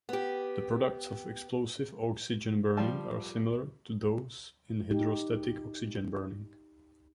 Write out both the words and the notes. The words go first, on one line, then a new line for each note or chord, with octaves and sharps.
The products of explosive oxygen burning are similar to those in hydrostatic oxygen burning.
B3 G4
F3 G3 A5
D#4 G4